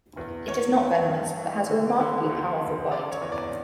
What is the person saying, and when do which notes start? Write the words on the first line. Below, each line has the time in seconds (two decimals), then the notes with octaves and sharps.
It is not venomous, but has a remarkably powerful bite.
0.17 E2
0.48 E2 C#5
0.78 E2
1.09 G2
1.39 E3
1.69 D3
2.00 D3
2.30 D2
2.61 D3
2.92 C#3 D5
3.12 C#5
3.22 E2
3.32 D5